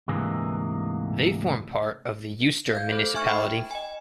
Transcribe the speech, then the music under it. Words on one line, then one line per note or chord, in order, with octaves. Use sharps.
They form part of the Eystur municipality.
D2 G#2 C3 E3 A#3 G#4
F5 G6 G#6
A3 A4 C5
D#4 E5 G#5 C#6 F6 G#6
G5 B5
D#5 G#5